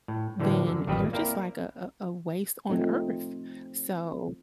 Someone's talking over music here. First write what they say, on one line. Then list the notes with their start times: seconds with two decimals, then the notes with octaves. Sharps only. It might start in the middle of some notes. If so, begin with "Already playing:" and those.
then you're just like a a a waste on earth. So
0.08 A2
0.40 A2 D3 E3 G3 G#3 A#3
0.67 F#2 D3
0.87 A1 F2 D#3 G3 C4 B4
1.13 A#3 C4 E4 A#4 D5
2.69 F3 A3 C4 D#4